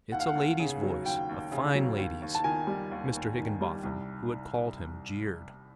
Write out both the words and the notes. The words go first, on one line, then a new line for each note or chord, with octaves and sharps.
"It's a lady's voice, a fine lady's," Mr. Higginbotham, who had called him, jeered.
D#2 F#5
F5
F#5
D#2
C#3
F#3
D#2 G5
D#2
C#3
F#3
D#2
D#2
A5
D#3 G#5
G3
D#2
D#2
D#3
G3
C2